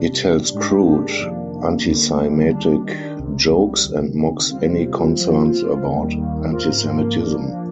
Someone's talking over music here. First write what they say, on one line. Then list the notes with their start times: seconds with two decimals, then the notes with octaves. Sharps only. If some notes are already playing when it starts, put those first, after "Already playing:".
He tells crude antisemitic jokes and mocks any concerns about antisemitism.
Already playing: C3 G3 D4
0.19 C3 G3 D4
0.53 G#2 D#3 G#3 D4 G4
0.85 G#2 D#3 G#3 D4 G4
1.18 F2 C3 D#3 A#3 D4
1.52 F2 C3 D#3 A#3 D4
1.85 D2 D3 G3 A#3
2.18 D2 D3 G3 A#3
2.51 D#3 G3 D4
2.85 D#3 G3 D4
3.18 C2 C3 G3
3.51 C2 C3 G3
3.83 D2 C3 D#3
4.17 D2 C3 D#3
4.50 D2 C3 G3 C4 F4
4.83 D2 C3 G3 C4 F4
5.16 F3 C4 F4
5.49 F3 C4 F4
5.83 D#2 D#3 G3 A#3
6.16 D#2 D#3 G3 A#3
6.49 G#2 F3 A#3 F4 A#4
6.82 G#2 F3 A#3 F4 A#4
7.16 F3 A#3 D4
7.49 F3 A#3 D4